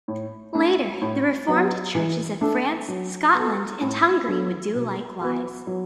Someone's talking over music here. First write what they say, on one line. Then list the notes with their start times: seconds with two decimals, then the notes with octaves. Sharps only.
Later, the Reformed churches of France, Scotland, and Hungary would do likewise.
0.08 A2
0.55 A3 D4
1.01 A2
1.48 F#3 B3
1.95 E3
2.41 A3 D4 A4
2.88 F#3
3.34 B3 F#4 A4
3.81 A2
4.27 F#3 B3 D4 A4
4.75 B2
5.21 B3 F#4
5.67 F#3